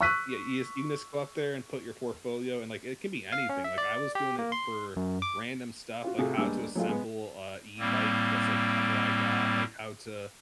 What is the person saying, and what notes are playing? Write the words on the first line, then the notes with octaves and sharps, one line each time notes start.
Yeah, you just you can just go up there and put your portfolio and, like, it could be anything, like, I was doing it for random stuff, like how to assemble, uh, e-bike that's like uh, that I got, like, how to,
C#6 E6 F#6 B6 D#7
F5
C#4
E5
D5
G4
A#3
C6
F#2
D6
F4 F#4
C3 A3 F4 F#4 G#4
D#2 G3 G#3 B3 D4 E6
F#3 G#3 A3 F4
G#3 B3
A2 G3 A#3 C4